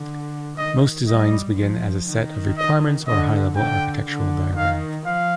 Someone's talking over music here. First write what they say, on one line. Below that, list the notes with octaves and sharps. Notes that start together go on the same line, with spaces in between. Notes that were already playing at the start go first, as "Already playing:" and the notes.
Most designs begin as a set of requirements or a high-level architectural diagram.
Already playing: D3
D#3 D#5
G3 D#5
F3
D#3
D#5
D3 D#5
D3 G5
D3
D#3 F5
F3 F5